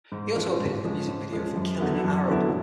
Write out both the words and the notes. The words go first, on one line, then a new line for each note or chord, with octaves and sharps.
He also appeared in the music video for "Killing an Arab".
G#2
F3 G#3 C#4
G#2
F3 G#3 C#4
G#2
F3 G#3 C#4
F#2
D3 F#3 B3 E4
F#2
D3 F#3 B3 E4